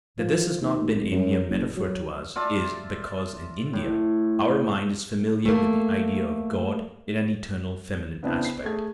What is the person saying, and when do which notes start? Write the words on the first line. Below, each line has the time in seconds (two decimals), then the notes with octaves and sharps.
That this has not been a mere metaphor to us is because, in India, our mind is familiar with the idea of God in an eternal feminine aspect.
0.19 F3
0.61 D#2
0.92 F1
1.11 F#2
1.49 F#1
1.77 F#3
2.36 F4 D5 E5 A5
3.73 A2
5.45 A3 A#3
8.23 C#3 B3 C4 D4 E4
8.45 C7
8.63 A3 G#4 G#6